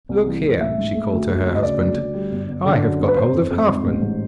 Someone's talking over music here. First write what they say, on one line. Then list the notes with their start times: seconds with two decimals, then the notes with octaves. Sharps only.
'Look here!' she called to her husband, 'I have got hold of Halfman.
0.09 C2
0.27 E3
0.44 C2
0.61 A1 E5
0.78 G#2
0.95 A3
1.12 D2
1.29 D2
1.46 D2
1.55 D#5
1.63 C#3 D5
1.80 D2
1.97 D2
2.14 G3
2.31 G1
2.48 G1
2.66 D3
2.83 F#2
3.00 G1
3.08 B4
3.17 G1 C5
3.34 F2
3.51 F2
3.68 G#2
3.85 A1
4.02 G#2